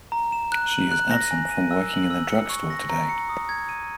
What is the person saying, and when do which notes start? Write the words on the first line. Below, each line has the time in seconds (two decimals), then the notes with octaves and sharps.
She is absent from working in the drug store today.
0.12 A#5
0.32 E7
0.52 F#6
0.72 F#7
0.92 F#6
1.11 A#6
1.31 G#5
1.51 D#7
1.71 E6
1.91 F#7
2.10 E6
2.30 C#7
2.49 C#6
2.70 A#6
2.89 A#5
3.09 C#7
3.29 D#6
3.49 G#6
3.69 D#7